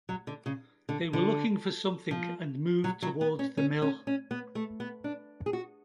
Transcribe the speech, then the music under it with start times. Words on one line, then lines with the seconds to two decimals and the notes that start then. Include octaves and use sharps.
They were looking for something, and moved towards the mill.
0.09 F#3
0.27 D3
0.46 C#3
0.89 D3
1.13 D3
2.11 F3
2.84 F#3
3.02 F#3
3.21 B3
3.39 C#4
3.57 C#4
3.82 C#4
4.07 C#4
4.31 B3
4.55 A3
4.80 B3
5.04 D4
5.46 G#4
5.53 F#4